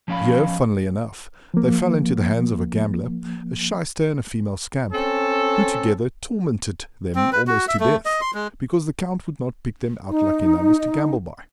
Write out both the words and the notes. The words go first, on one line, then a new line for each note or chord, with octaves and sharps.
Here, funnily enough, they fell into the hands of a gambler, a shyster, and a female scamp, who together tormented them almost to death, because the Count would not pick them out lucky numbers to gamble by.
F3 C#4 F5 B5
F3 A#3
C4 C#4 A4
C4
B4
F#4
E5
A3
D#5
C6
G#3
D#4